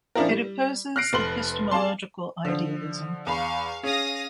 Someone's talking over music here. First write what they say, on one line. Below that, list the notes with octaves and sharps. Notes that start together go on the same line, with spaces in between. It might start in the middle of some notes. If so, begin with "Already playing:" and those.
It opposes epistemological idealism.
F3 C#4 D4 E4 F4 A#4
G3
F6 F#6 A#6 C7 D7
F1 A4 B4 C6 F#7
G#4 D5 F5 A5 C6
D3 F3
E2 F5 B5 C#6
C#4 G#4 F5 D#6 A#6